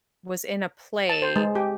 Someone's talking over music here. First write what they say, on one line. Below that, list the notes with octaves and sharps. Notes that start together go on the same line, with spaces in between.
was in a play,
A5
C5
G#3
G4